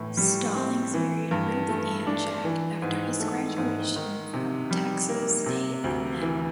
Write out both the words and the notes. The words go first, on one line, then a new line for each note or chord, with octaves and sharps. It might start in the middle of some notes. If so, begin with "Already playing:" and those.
Stallings married Ruth Ann Jack after his graduation from Texas A and M.
Already playing: A2 E3
G3
C4
E3
G2
A3
D4
E3
G#2
A3
G#2
D#3
C3
G3
A#3
C3
D2
E3